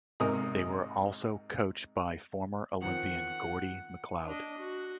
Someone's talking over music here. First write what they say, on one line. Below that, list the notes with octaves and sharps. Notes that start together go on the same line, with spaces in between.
They were also coach by former Olympian Gordie McLeod.
G#2 C3 A#4 D#6
D#3 F3 C4 F#5
D4 D#5
F#4